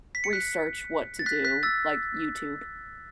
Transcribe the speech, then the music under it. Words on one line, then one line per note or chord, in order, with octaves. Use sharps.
research what to do, like YouTube.
B6
C#7
F#6 B6
A6
F#6 B6
F#6 B6
E6 A6